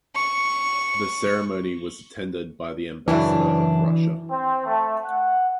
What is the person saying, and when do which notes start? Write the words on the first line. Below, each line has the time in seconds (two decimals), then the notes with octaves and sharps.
The ceremony was attended by the Ambassador of Russia.
0.15 C#6
3.08 F#2 C#3 E3 D4
4.30 C4
4.66 A3
5.05 F#5